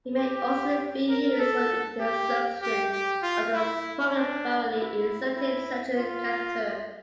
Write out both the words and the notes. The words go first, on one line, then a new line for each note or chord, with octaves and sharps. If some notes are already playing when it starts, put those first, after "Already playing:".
It may also be used for the insertion of a peripherally inserted central catheter.
G4
A#4
A4
G4
G4
G4
F4
E4
D4
E4
E4
F4